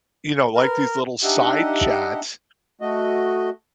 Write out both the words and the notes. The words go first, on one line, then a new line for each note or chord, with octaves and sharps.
you know, like these little side chats
A#4 B4
D4 D#4 G4 D#5 E5 F#5
A3 F#4 D#5